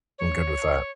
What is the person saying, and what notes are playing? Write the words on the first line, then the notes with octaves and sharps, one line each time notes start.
I'm good with that.
C#5